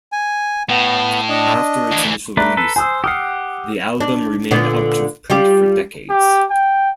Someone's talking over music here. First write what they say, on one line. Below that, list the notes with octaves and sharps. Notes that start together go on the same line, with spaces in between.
After its initial release, the album remained out of print for decades.
G#5
A2 B3
D4 D#5
D2 E3
A3 D4 B4 A#5 F#6
A4 B4
C5 G#5 D#6 E6
G4 F#5 D#6 F6 C7
D4
A#2 D3 B3
G3 F4 G4
G4
G5